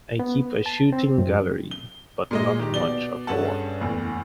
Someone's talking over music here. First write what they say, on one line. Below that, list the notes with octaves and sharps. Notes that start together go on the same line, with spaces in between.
I keep a shooting gallery, but not much of a one.
B3
A5
C4
F#2
G7
A#2 G#3 D#5
D#3 G4
B2 D5 G7
G2 C#4 G#4 A4 F#5 A5
F#1 E2 A2